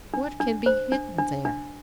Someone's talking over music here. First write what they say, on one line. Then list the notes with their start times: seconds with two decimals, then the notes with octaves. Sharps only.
What can be hidden there?
0.14 D4
0.40 D4
0.66 C5
0.92 D4
1.18 D4
1.45 D4